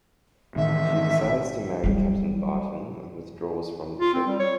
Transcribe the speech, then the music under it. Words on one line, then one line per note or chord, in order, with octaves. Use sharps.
She decides to marry Captain Barton and withdraws from the show.
A1 D#3 E5
F#3 G3
F4
C4
G3
C#5